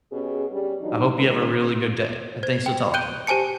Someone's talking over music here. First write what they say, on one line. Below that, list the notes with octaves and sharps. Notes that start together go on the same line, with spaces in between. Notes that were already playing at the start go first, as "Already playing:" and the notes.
I hope you have a really good day, and thanks for talking.
B2 C#4 G4 G#4
G3 C#4
E3 F#3 D4 D#4
D#3 G#3 C#4
C5 G#6
G5
G5 F#6 G6 D7 D#7 G7
G4 C5 G#5 A5 C#7